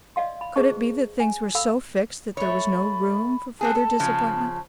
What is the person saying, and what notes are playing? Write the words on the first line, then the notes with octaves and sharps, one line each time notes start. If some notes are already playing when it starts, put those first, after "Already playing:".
Could it be that things were so fixed that there was no room for further disappointment?
D5 D#5 F5 C6
B5
G#4 B4 C5 D#5 A5 C#6
G#5
A4 F5 B5 E6
A3 C#5 B5
B3 C4 G#4 A5
A4
C#3 F3